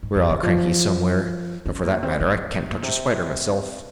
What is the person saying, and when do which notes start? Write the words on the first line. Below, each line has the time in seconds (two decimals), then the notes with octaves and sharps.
We're all cranky somewhere, and for that matter, I can't touch a spider myself.
0.03 G#2
0.15 F2
0.30 C#3
0.43 F3
1.66 C#4
1.84 A#3
2.03 C4
2.21 C4
2.39 C#3
2.57 C3
2.70 A#2
2.83 C3